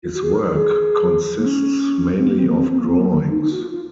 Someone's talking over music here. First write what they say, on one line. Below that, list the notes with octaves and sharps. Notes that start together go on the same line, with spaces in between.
His work consists mainly of drawings.
F4
F#4
G#4
A#4
A#4
G#4
A#3
C#4
C4
A#3
C4
A#3
C4
C4
A#3
C4
A#3
A#3
D#4
D#4
F#4
F4
F4